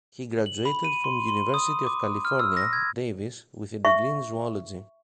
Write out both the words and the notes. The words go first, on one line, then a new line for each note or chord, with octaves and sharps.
He graduated from University of California, Davis, with a degree in zoology.
F#7
B5
D#7
C6
C6
D#6
D6
F6
E6
A#6
G#6
E5 C#6